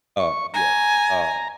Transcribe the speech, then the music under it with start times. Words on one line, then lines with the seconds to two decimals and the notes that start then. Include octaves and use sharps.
Uh, yes, um,
0.20 C#6
0.54 G#5 A#5